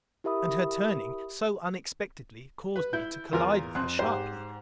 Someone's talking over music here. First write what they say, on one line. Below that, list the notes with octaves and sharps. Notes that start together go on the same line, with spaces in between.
And her turning so unexpectedly caused me to collide with her sharply.
E4 G4 A#4 E5 B5 D#6
B4
E4 G6
E2 F4 A#4
F2 C6 F#6
G#2 G4 C5